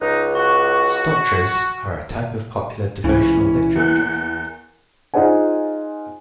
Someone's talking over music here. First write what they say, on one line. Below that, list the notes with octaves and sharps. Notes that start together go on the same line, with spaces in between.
Stotras are a type of popular devotional literature.
C#2 D#4 F#6
F#4 C#6 F#6
C#2 E3 C#4
E2 A#3 F#6 C#7
D#4 F4 G#4 C5 F#5 G#5